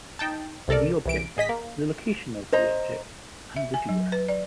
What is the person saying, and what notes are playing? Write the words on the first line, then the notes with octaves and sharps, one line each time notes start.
The object, the location of the object, and the viewer.
D#4 G5 A5
C2 C3 A4 A#4 D5
C2 E3 D7
A1 G#4 D#5 B6
A#3
C5 D#5 A#5
E5
G#5
F#3
B4
D5